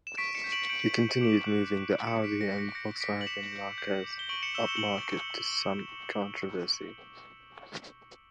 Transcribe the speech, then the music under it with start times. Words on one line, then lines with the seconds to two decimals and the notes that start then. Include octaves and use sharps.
He continued moving the Audi and Volkswagen marques upmarket to some controversy.
0.07 E7
0.17 C#6 B6 D7
0.35 C#7 E7
0.44 G6
0.52 D7 F#7
0.69 G6 D7 F#7
0.95 C#6
1.21 D6
1.46 F#6
1.73 F#6
1.98 D6
2.07 C#7 E7
2.23 D6 B6 D7
2.41 A#6 C#7
2.49 G6
2.58 A#6 C#7
2.71 D7
2.75 G6 A#6 C#7
3.01 D6 B6 D7
3.21 F#7
3.26 D6 C#7 E7
3.52 G6
3.78 G6
4.04 D6
4.19 G7
4.29 C#6 D7 F#7
4.43 C#7 E7
4.55 E6 E7 G7
4.68 E7 G7
4.77 F#7